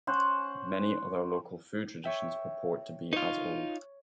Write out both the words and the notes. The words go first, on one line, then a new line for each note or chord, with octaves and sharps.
Many other local food traditions purport to be as old.
C#4 C5 F#5
C#5 E5 G5
D#4 F4 C#5